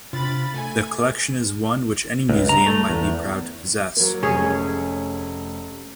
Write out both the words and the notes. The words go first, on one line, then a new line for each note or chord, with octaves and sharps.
The collection is one which any museum might be proud to possess.
C3 D4 F4 B5 A6
A3 G#5
C#2
A#5
A3
E2
F#3 A#3
F1 A3 C#4 G#4